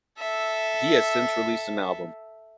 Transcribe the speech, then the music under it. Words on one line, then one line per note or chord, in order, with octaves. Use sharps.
He has since released an album.
A4 E5